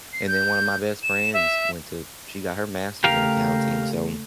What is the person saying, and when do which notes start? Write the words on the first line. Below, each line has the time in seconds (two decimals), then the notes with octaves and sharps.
and then one of my best friends went to she got her master's in accounting, so
0.13 C7
0.28 G6
1.03 E7
1.33 E5
3.04 C#3 A3 G4 A#4 F5